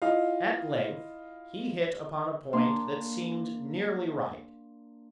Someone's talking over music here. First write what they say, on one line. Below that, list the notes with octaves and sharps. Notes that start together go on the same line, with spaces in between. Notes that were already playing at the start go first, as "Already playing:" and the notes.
At length he hit upon a point that seemed nearly right.
E4 F4 D#5 F5
A#3 D4 C6